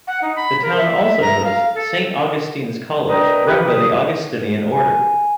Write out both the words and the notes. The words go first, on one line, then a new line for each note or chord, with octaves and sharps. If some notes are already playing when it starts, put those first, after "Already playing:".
The town also hosts Saint Augustine's College, run by the Augustinian Order.
F#5
D#4
B5
A#4
E5
A#5
F5
A4
D4 A#4 B4 D#5 G5 A#5
G4 B4
C2 C#3 F#3 G4 D#6
G#5